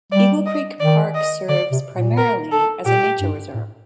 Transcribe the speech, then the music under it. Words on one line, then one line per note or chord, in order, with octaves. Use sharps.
Eagle Creek Park serves primarily as a nature reserve.
G3 D5
D#5
D#3 D5
D#5
D3 D5
C3
A#2
A#4
A4
A#2 G4
G2
A2